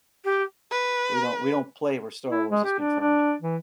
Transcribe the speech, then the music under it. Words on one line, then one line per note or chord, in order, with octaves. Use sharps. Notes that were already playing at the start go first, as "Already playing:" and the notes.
we don't we don't play where Star Wars is confirmed.
G4
B4
E4
G#3
G4
D4
D4
E3